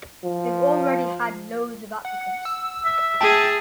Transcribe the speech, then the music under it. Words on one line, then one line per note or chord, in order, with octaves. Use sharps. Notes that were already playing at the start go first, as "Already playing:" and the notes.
They've already had loads of applicants.
F3
F#5
E6
E5
G#4 G5 A5